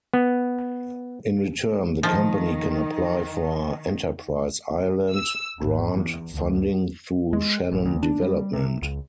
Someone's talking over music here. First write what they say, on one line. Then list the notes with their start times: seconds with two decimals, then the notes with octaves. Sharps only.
In return the company can apply for Enterprise Ireland grant funding through Shannon Development.
0.14 B3
2.03 D#3 F3
5.12 E6
5.61 G#1
5.93 E2
6.32 D2
7.33 G#3
7.72 A1
7.85 D2
8.03 D4
8.21 G3
8.53 C3
8.82 C#2